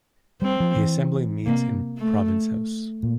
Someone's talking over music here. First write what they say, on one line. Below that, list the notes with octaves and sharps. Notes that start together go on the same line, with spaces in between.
The assembly meets in Province House.
G3 C4
F3
E3
C3 A#3
A3
A#2